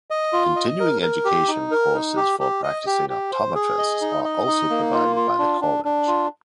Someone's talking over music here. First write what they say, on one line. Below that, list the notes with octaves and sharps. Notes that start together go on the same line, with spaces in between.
Continuing education courses for practicing optometrists are also provided by the College.
D#5
F4
D#5
A#4
A#4
G4
D#4
A#4
D#4
G4
G4
D#5
G4
G4
C5
G#4
D#5
D#4
D#5
D#4
A#3
F4
F4
D4
D4
D4
F4